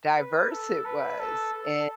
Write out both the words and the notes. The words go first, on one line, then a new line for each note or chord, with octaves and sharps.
diverse it was, and
B4
A4
B4
A4
A4